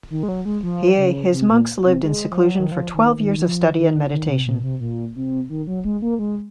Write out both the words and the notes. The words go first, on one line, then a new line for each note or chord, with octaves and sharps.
Hiei, his monks lived in seclusion for twelve years of study and meditation.
D#3
G#3
F#3
G#3
F3
C#3
C3
A#2
C3
G#3
F3
F#3
D#3
F3
D#3
D#3
D#3
F3
D#3
D#3
C3
A#2
C3
A#2
C3
D#3
F#3
G#3
A#3
G#3